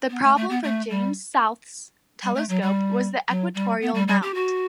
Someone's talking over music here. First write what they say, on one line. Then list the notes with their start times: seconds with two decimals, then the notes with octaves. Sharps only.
The problem for James South's telescope was the equatorial mount.
0.09 B3
0.23 A3
0.36 A3
0.49 B3
0.63 A3
0.90 G3
2.22 G3
2.35 A3
2.49 F#3
2.61 G3
3.28 F#3
3.54 G3
3.81 B3
3.94 G3
4.07 G3
4.22 G4
4.34 F#4